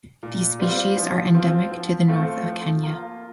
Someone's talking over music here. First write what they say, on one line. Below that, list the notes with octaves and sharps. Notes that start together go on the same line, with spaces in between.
These species are endemic to the north of Kenya.
A#2
G3 C4 F4
F3
C4 F4
F3
A3 C4 F4
F3
A#3 F4